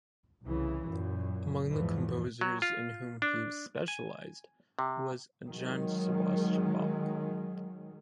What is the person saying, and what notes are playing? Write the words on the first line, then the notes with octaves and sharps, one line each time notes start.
Among the composers in whom he specialised was Johann Sebastian Bach.
C2 C#3 E3
F#2 A#2
E2 G#2 E3 F3
F#3
F4
D4
G#5
C3
D#3 F#3 G#3